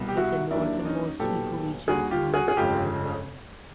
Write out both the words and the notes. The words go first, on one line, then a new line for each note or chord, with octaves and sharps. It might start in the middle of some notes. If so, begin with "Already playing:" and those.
It is the northernmost ecoregion of the Neotropical realm.
Already playing: C2 B2 G3
G4
E4 F#4
D#2 D#3 F#3 A#3 D4 E4
D4
C#4 D#4
B1 A#2 F#3 B3 G4 A4
D#2 D3 G3 F#4 G#4
F4 G4
F#4 G#4
G#4
G1 F2 C#3 F3 G#3 F4 G4